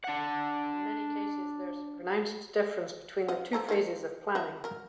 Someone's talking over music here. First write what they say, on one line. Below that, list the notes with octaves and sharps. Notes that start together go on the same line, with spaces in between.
In many cases there is a pronounced difference between the two phases of planning.
D4 F#5
D#5 F5 F#5
F3 A4 A#5
D#3 F3 C4
F#4 D#5 E5
F#3 A#4